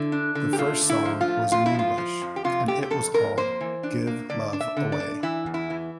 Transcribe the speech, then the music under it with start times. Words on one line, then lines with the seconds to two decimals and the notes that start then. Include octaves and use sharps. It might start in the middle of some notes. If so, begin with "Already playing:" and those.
The first song was in English, and it was called "Give Love Away".
Already playing: D3 E4
0.12 D4
0.35 D3
0.53 G4
0.58 A3 F4
0.81 D3
0.89 E4
1.05 F3
1.21 F4
1.28 A3
1.52 F2 F4
1.66 E4
1.74 F3 F4
1.98 F3
2.22 F2
2.36 G4
2.44 C3 F4
2.68 A3 G4
2.82 G4
2.90 F2 A4
3.14 F2 A#4
3.37 A#3 C5
3.61 E3
3.83 D4
4.07 A#3
4.30 D3 D5
4.53 D4
4.61 E5
4.77 D3
4.92 D5
5.00 D4
5.23 E3 E4
5.46 E2
5.54 E4
5.70 E3